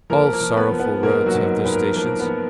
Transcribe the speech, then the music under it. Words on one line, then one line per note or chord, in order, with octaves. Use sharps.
All sorrowful roads have their stations.
F3 A#3 A#4
A#3 A#4
F3
B3 B4
F3
B3 B4
G#2 A#3 A#4
F#3 F#4
G#2
G#2 B4
A#3 A#4
F3 A#3 A#4
B3 B4
F3